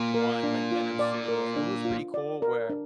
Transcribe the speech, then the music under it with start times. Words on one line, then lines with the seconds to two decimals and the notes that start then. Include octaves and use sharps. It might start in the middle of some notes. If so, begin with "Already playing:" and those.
one, like, Venom suit, and it was pretty cool where
Already playing: A#2
0.14 A#4
0.43 D4
0.72 F4
0.99 D5
1.28 A#4
1.56 D4
1.85 F4
2.14 D5
2.42 A#4
2.70 D4